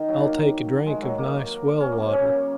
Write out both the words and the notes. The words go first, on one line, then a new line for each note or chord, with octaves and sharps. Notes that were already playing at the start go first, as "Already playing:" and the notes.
I'll take a drink of nice well-water.
Already playing: D#3
F#3
A#3
G#3
F#3
A#3
C#4
A#3
C#3
C#4
A#3